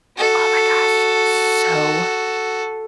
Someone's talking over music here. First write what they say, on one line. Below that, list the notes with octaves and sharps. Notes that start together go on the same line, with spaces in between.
Oh my gosh, so
F#4 A4